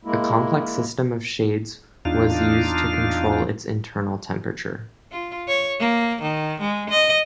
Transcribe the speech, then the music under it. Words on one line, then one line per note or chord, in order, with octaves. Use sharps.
A complex system of shades was used to control its internal temperature.
G#3 A#3 E4
E2 D4 D#4 F4 F5
F4
C#5
A#3
D#3
G#3
D#5